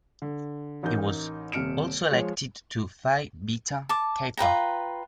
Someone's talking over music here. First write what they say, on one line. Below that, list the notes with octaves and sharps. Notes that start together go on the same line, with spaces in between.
He was also elected to Phi Beta Kappa.
D3
A1 D#4 A#4 G6
D#1 C3 F6 C#7 D7 E7
F3 G#3 C#5
A5 D6
F4 B4 G5 A#5